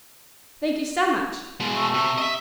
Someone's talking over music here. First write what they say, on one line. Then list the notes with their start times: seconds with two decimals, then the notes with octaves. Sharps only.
Thank you so much.
1.60 B2 G#3
1.76 A3
1.94 C3
2.18 D#5 E5